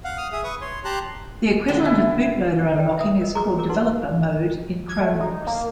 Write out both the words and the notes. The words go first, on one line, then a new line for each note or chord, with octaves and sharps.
The equivalent of bootloader unlocking is called developer mode in Chromebooks.
F5 F#5
D#6 F6
G#4 E5 D#6
B4 C#6 D#6
C#5 C6
G4 A5 A#5 C6 F#6
B2 D3 D#3
E4
A4 B4 C#5 D5 G5
E5 D#6
A#4 D#5
G#4 A#5 C6 D6
G#4 A#4 D6
D#4 A4 B4 F#5 C6
G#6
A3
D#4
A#3